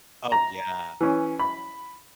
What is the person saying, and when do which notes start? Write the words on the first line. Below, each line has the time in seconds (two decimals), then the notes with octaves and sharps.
Oh, yeah.
0.32 A#5
1.01 E3 C#4
1.39 B5